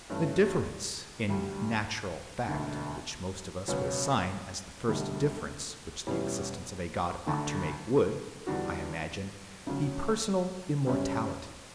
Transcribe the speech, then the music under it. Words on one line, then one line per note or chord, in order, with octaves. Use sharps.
The difference in natural "fact" which most of us would assign as the first difference which the existence of a God ought to make would, I imagine, be personal immortality.
G2 E3 A3 C#4
D2 D3 G3
E1 D2 D3
C#2 B2 F#3 C#4
E1 D2 D3 G3
E2 B2 G3 C#4 E4
D2 D3 A3
E2 D3 G3 D4 F#4
D2 C#3 F#3 C#4
F#2 C#3 G3 C#4